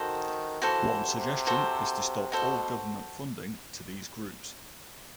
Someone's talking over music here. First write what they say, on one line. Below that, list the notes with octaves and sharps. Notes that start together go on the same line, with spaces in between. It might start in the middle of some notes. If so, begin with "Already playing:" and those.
One suggestion is to stop all government funding to these groups.
Already playing: D#3 F#4 A4 C5
E3 F#4 A4 C5
C3
F#4 A4 C5
B2 F#4 A4 C5